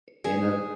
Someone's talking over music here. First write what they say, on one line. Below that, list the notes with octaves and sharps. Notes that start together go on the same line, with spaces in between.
in a
G#4